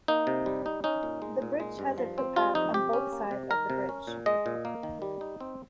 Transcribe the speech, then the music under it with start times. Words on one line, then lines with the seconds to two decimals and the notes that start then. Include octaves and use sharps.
The bridge has a footpath on both sides of the bridge.
0.08 A#3 D#4
0.27 C3
0.46 G3
0.66 D#4
0.84 C#4 D#4
1.03 A#2
1.22 G#3
1.42 A#2
1.60 G#3
1.79 G2
1.98 F3
2.18 C4
2.36 G3 F4
2.55 F2 D#4
2.74 C3 G4
2.93 C#4
3.13 A#3
3.31 C3
3.50 D#3 A#4
3.70 C3
3.89 C#4
4.07 A#2
4.26 G#3 D#5
4.46 A#2
4.65 A#3
4.83 D#3
5.02 G3
5.21 D#4
5.40 C4